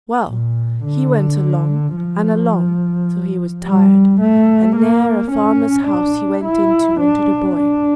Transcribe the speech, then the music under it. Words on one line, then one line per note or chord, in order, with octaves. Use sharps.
Well, he went along and along till he was tired, and ne'er a farmer's house he went into wanted a boy.
A#2
D3
F3
G3
A3
A#3
C#4
D4
E4
D4
D4